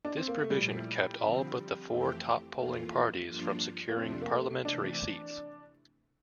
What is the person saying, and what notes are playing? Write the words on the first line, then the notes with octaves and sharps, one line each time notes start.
This provision kept all but the four top-polling parties from securing parliamentary seats.
D4
C4
A#3
A3
A#2 F3 G3 A3 E4
D3 F3 C4
F2 E3 A3 C4 G4
F2 E3 A3 A#3 F4
G2 F3 A#3 D4 F4
A#3
F2 C3 F3 A3 C4 D4
A#3
A3
C3 E3 A3 D4